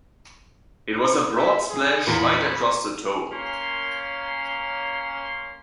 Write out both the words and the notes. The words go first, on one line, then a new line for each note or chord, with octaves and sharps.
It was a broad splash right across the toe.
E5
G#4
E2 A#2 B5
A#3 C#4 C6